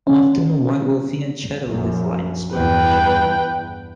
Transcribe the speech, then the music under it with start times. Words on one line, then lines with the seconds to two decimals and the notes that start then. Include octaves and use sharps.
Often, White will fianchetto his light-square bishop.
0.07 C#4
1.66 A#1 F#2
2.54 E2 G2 B4 G5